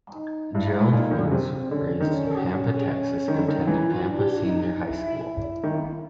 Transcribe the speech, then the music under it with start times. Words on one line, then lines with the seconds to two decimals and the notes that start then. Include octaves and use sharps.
Gerald Ford was raised in Pampa, Texas and attended Pampa Senior High School.
0.14 D#4
0.54 G2 E4
0.67 G#2
0.80 A2
0.93 A#2 D#4
1.11 D#3
1.18 D3
1.25 C#3
1.31 C3 C4
1.71 D3 C#4
2.00 D#3
2.10 D3 C#4
3.28 D#3
3.38 D3
3.48 D#3
3.67 E3
4.07 D4
4.46 D#4
4.85 E4
5.63 D#3